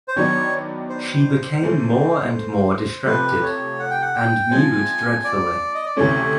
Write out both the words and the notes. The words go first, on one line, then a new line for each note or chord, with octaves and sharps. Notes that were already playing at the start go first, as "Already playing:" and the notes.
She became more and more distracted, and mewed dreadfully.
C5
D#3 F#3 B3 D4 C#5
C5
C#3 E3 A3
C3 F3 A3 B4
C#5
F#5
G5
F#5
G5
F3 G#3 C4 G#5
D5
D#5
D5
D2 C3 E3 A3 C#4 C#5